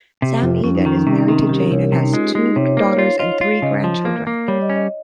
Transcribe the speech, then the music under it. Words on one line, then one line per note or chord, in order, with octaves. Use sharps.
Sam Egan is married to Jane and has two daughters and three grandchildren.
C3 G4
F2 F4
F2 C#4
D#4
D#3 C#4
D#4
C3 C#4
D#4
D#3 C4
C#4
C2 G4
A#4
C2 C#5
A#4
C3 C#4
D#4
G#3 F4
G4
G#3 D#4
D#4
C3 C#5
C#5
A#3 C5
C#5
F4
C#5
F4 D#5
C#5
F4
C#3 D#5
F3
A#3
A#3
G3 C#5
D#5
C#4
D#5